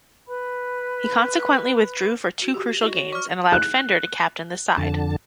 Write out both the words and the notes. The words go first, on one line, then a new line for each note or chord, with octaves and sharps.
He consequently withdrew for two crucial games, and allowed Fender to captain the side.
B4 B5
F#4
F#4 G4
E4 F#4 D#5
C#5
D5 C#6 D6 F6
F#6
F2 D3 A5